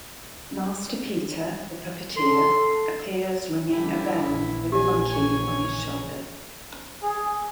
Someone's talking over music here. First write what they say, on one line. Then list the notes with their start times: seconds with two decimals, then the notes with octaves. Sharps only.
Master Peter, the puppeteer, appears ringing a bell, with a monkey on his shoulder.
2.17 A4 C6
3.68 D3 G3 E4
4.24 A#1 E3
4.72 G4 G#5
5.08 C#5 G#5
7.03 G#4